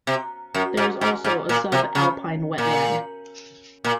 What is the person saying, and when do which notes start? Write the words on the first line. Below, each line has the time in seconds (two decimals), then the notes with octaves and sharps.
There is also a sub-alpine wetland.
0.07 C3
0.55 F#2
0.77 G#2
1.01 G#2
1.24 G#2
1.49 A#2
1.72 C3
1.95 C#3
2.58 A#2
3.84 A#2